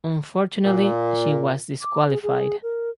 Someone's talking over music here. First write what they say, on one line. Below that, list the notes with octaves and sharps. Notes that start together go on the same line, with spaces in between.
Unfortunately she was disqualified.
A#2
D6
G#4
G#4
A#4